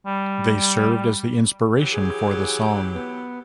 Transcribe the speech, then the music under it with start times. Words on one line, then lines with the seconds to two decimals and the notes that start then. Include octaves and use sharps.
They served as the inspiration for the song.
0.06 G3
1.76 E3 F#3 G4
1.92 G#4
2.93 B3